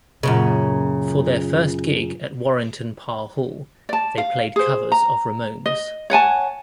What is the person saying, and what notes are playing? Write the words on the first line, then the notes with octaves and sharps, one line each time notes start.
For their first gig at Warrington Parr Hall, they played covers of Ramones.
F#2 A#2 C#3
D5 A5
F5
G#4 C5
A#5
D#5
C#5 F#5 G#5 A5